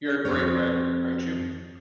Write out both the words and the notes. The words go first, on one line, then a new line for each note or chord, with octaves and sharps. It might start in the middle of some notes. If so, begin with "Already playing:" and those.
You're a great writer, aren't you?
F2 C4 G4 C#5